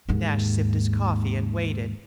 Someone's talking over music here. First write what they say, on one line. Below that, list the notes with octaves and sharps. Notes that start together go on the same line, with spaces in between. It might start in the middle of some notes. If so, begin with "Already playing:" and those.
Nash sipped his coffee and waited.
D#2 G#2